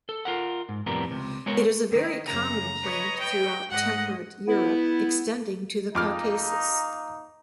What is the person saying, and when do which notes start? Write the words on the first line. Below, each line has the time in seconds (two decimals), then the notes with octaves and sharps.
It is a very common plant throughout temperate Europe extending to the Caucasus.
0.09 A4
0.25 F4 A#4 F#5
0.69 G#2
0.86 F2 A2 C3 G3 B3 A#4
1.11 C#2 C3
1.46 G#3 B3 F#4 A#4 C#5
1.92 D#3
2.27 F#2 C#3 A#5
2.82 B4 C#5 D#5
3.20 G5
3.71 G#2 D#5 F#5
4.48 B3 E4
5.95 F2 A#3 D#4 D6 F6